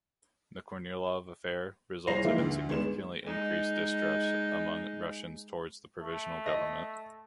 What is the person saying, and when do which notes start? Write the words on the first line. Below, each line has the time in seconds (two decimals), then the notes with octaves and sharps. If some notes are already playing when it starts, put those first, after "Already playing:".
The Kornilov Affair resulted in significantly increased distrust among Russians towards the Provisional Government.
2.07 C2 G#4 C5 A#6 C7 F7
2.25 E3 F3 G#3 A#3 D#4 E4
2.38 D2
2.69 G#1 G#3 B3 E7
3.24 G#3 D#4
6.01 A3
6.46 D#5